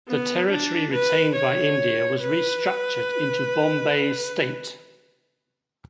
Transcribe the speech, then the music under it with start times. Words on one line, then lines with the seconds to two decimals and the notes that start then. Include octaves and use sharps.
The territory retained by India was restructured into Bombay State.
0.08 B3
0.50 D4
0.93 B4
1.36 C#5
2.21 B4